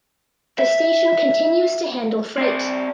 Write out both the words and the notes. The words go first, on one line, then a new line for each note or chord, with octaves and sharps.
The station continues to handle freight.
E5
C4 D5